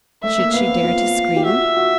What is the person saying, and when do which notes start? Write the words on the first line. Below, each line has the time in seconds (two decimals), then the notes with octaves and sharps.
Should she dare to scream?
0.23 A3 E5
0.39 A#3
0.53 B3 F5
0.69 C4
0.84 F4
1.36 G4
1.45 F#4 E5
1.61 F4
1.76 F#4